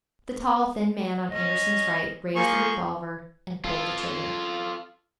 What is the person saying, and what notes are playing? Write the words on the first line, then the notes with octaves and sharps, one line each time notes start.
The tall thin man on Andersen's right raised the revolver and pulled the trigger.
C#4 D#5
F3 A#3 G#4 C#6
F4 A4